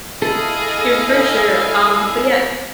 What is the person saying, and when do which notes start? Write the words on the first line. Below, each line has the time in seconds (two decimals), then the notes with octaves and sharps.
Yeah, for sure, um, but, yeah,
0.22 E4 G#4 A4 D#5 F5